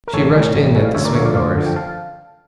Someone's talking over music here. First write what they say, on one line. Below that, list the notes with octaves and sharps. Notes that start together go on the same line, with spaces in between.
She rushed in at the swing doors.
A#4
A1 A4 C#5
A2 G3 C#4
A1
A2 G3 C#4
F5
D2 C#5 E5
A#4 D5
D3 F3 C#5 E5
D5 F5
D2 D5 F5
D3 F3
G5
F5 A5